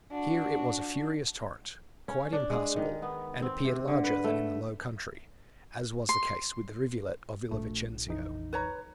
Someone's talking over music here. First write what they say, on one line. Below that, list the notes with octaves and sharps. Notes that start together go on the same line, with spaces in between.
Here it was a furious torrent, quite impassable, and appeared larger than in the low country, as was the case with the rivulet of Villa Vicencio.
D4 F#4
C#4
D4
G#3
D#3
B3
C4
C3
D3
B4
A3
C6
A#1 A3
F2 E3 D#4
B4 C#5 A#5